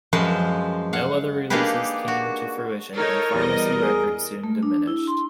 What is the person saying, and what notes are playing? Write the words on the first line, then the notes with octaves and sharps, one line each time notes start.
No other releases came to fruition, and Fharmacy Records soon diminished.
F#2 F3 G#3 B4 C5
F5 F#5
A#3 D4 D#4 G4 G#4 B4
F#4
D#4 A4 A#4 C#5
E2 G3 D#5
G#4
A3
D4
E4
C6